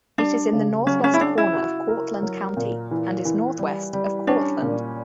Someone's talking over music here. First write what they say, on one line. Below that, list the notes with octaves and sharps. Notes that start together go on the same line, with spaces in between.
It is in the northwest corner of Cortland County and is northwest of Cortland.
G3 D4
C#3
F#3 C#4
C#4
E4
C#4 D4
E4
F#4
A#4
F#3
A#2
E3
E3
G3
G3
C#4 D4
A#2